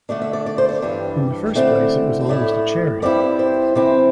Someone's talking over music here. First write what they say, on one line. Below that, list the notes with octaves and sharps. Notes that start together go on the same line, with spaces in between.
In the first place it was almost a charity.
D3 A3 D4 D5
E5
D5
D5
C5
D5
G2 E3 G3 D4
D3 A3 C4 E4
A2 A3 E4 D5
G2 G3 C4 E4 D5
C5
C3 E3 C4 E4